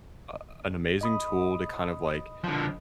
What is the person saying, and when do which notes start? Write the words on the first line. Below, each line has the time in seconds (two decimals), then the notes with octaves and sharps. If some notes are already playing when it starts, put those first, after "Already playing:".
uh, an amazing tool to kind of, like,
1.01 D#5 B5 D#6
2.44 D3 F3